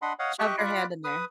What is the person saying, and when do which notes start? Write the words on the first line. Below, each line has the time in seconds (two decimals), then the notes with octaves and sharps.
Shoved her hand in there.
0.02 D4 D#5 F#5 B5 C6
0.19 C#5 D#5 F5 F#5
0.39 G4 D#5 E5 G5 C#6 F#6
0.58 F4 D5 B5 F#6
1.04 B4 D#6